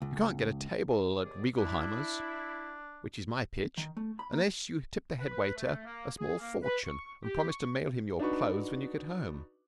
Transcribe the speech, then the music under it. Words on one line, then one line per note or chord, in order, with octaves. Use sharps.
You can't get a table at Reigelheimer's, which is my pitch, unless you tip the head waiter a small fortune and promise to mail him your clothes when you get home.
C#2
D#2 G#4 D5
D4 E4
D#3
A3
B5
A#3
B4
A3
A#3
G#4
A#3
B4
C#6
G4
C#6
D4 D#4 F#4 B4 C#6